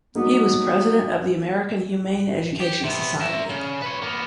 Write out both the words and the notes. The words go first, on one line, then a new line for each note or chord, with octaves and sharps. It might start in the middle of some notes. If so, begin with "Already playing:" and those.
He was President of the American Humane Education Society.
F#3 G3 A#3 B3 D#4 F#4
G4
C3 B3
A#4 E5
C#3
B4 C#5
A#3 B3